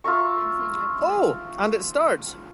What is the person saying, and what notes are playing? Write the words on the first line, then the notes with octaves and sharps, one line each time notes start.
Oh! And it starts!
F4 E5 A#5 C#6